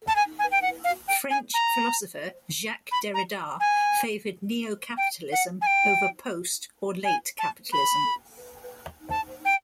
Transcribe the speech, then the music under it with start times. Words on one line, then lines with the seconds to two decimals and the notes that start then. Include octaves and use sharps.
French philosopher Jacques Derrida favoured "neo-capitalism" over "post-" or "late-capitalism".
0.08 A5
0.16 G#5
0.39 G#5
0.51 G5
0.62 F#5
0.84 F5
1.08 G5
1.30 G#5
1.54 A#5
2.92 B5
3.14 A#5
3.60 G#5
4.97 G5
5.32 F#5
5.61 G#5
5.67 G5
7.05 G#5
7.39 A5
7.72 B5
9.10 A5
9.45 G5